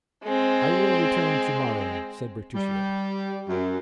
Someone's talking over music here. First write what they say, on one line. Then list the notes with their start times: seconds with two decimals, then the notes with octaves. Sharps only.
"I will return to-morrow," said Bertuccio.
0.24 G#3 C4
2.55 G3
3.48 F#2